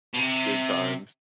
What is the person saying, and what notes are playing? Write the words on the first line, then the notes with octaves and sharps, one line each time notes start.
Good times.
B2
C3